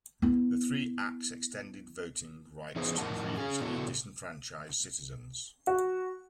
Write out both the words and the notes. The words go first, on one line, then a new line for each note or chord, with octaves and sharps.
The three acts extended voting rights to previously disenfranchised citizens.
B3 E4
E3 B3 D#4 G#4 B4 C5
F2 A2 D#3 A#4 F#5 A5
C#4 G#4
A#2 C#3 B3 E4 F#4 A4
F#4